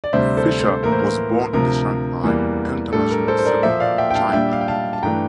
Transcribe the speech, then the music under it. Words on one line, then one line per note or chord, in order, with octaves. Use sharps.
Fischer was born in the Shanghai International Settlement, China.
D5
D2 C3 G3 D4 C5 E5
A4 C5
A4 C5
A2 E3 A#3 E4 A#4
C5
A#4
D2 C3 F3 A#4
E2 E3 G3 A#3
A2 G3 D4 A4
A#4
A4 C5
C5
A#4 D5
A#2 F3 A#3 C5 E5
D5 F5
E5 G5
G5
F5 A5
A#2 G3 D4 E5 G5
F5
G5
F5 A5
A5
G2 E3 A3 D4 G5 A#5